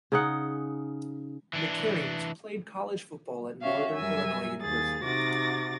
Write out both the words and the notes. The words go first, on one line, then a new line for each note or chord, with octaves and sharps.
McCareins played college football at Northern Illinois University.
C#3 D#4 F#5
E3 D4
C#4 F#4 E5 F5
F#2 G3 A#4 E5 G#5 E6
D#2 G#4 A6
C3 D#4 F#4 D6 A6 A#6